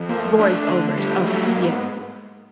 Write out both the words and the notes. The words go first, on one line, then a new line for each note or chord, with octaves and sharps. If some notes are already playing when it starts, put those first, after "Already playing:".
Voice overs, okay, yes, yes.
Already playing: F2
F3 A#3
A3
G#3
A3 D4
D3
G3
G#3
F#3 A3
A#3
G#2
A#3
B3